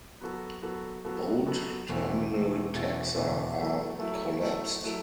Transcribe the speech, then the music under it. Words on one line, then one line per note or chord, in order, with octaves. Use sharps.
Bold terminal taxa are collapsed.
F#3 B3 F#4 A4
F#3 B3 F#4 A4
F#3 B3 F#4 A4
F#3 B3 F#4 A4
E2 B2 A3 C4 E4
E2 B2 A3 C4 E4
E2 B2 A3 C4 E4
E2 B2 A3 C4 E4
F#3 A3 E4 A4
F#3 A3 E4 A4
F#3 A3 E4 A4
F#3 A3 E4 A4